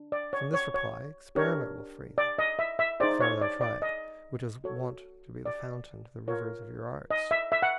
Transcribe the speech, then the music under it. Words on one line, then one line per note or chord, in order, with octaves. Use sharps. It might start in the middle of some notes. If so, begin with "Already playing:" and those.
From this reply experiment will free thee If e'er thou try it, which is wont to be The fountain to the rivers of your arts.
Already playing: D4
D5
C#5
C#5
C#5
D4 G4 A#4 C#5
D5
D#5
E5
E5
D#4 G#4 C5 D5
C#5
D5
D5
D#5
F#4 A4 C#5
D5
F4 A#4 C#5
D#5
E5
E5
F#5